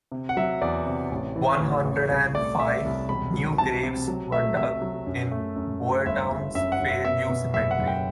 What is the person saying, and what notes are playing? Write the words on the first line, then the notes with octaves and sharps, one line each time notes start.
One hundred and five new graves were dug in Boyertown's Fairview Cemetery.
C3
F#5
F#3 E5
E2 D5
C3
A1
E3
A1
A1
C2
A3 D5
A3 E5
C2
E1 B5
F#3
C3 A5
C3
F#3
A3 E5
C3 E5
F#3
F#2
A3
F#2
A3
G1 E5
G1
F#2 E5
F#5
F#2
E5
B2 E5
B2
F#1 E5
F#5
F#1
G5